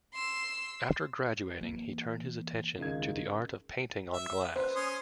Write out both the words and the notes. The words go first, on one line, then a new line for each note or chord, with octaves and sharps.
After graduating he turned his attention to the art of painting on glass.
C6 E6
E3 A#3
C#2 D#3 G#6
E5
B4 C5
C#4 C6 D#6